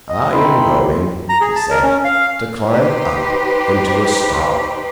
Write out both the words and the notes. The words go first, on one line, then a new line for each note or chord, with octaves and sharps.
"I am going," he said, "to climb up into a star."
D#5
B2 C4 D#4 E4 B5 C6
A#5
G#4
A5
A#4
C#4
F5
D#4 G4 B4 C5